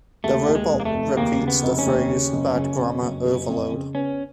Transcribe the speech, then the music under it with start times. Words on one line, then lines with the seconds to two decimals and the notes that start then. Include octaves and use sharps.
The robot repeats the phrase Bad grammar overload!
0.24 D#2 A3
0.48 D#2
0.55 G#3
0.71 F1
0.80 A#3
0.85 A3
0.94 F1
1.17 D#2 A#3
1.40 C#3
1.48 B3
1.63 F1
1.78 C#4
1.86 D#2
2.10 C#3
2.33 F#1
2.56 C#3
2.79 F2
3.02 F#1
3.25 F#1
3.49 F2
3.72 C#3
3.95 B3 C#4